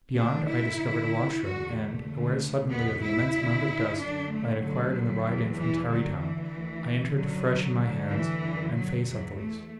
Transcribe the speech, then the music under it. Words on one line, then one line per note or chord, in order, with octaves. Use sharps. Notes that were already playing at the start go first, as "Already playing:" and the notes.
Beyond, I discovered a washroom, and, aware suddenly of the immense amount of dust I had acquired in the ride in from Tarrytown, I entered to freshen my hands and face at the least.
D2 D3 D4
E4
F#2 D3
E2 D3 F#4
A3
D2 D3
E2 B2 B3
E4
D2 D3
F#2 D3 D4
A3
D2 D3 F#3
E2 E3
E3
D2 D3 F#3
E3
D2 D3
F#2 D3 F#3
D2 D3
E3
F#2 D3
F#3
E2 E3 F#3
A3